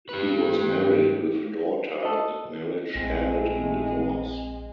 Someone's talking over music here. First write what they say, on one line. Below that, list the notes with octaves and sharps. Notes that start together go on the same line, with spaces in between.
He was married with a daughter; that marriage ended in divorce.
G4 B4
A4 D#5
A#1 G#3 A3 C4 E4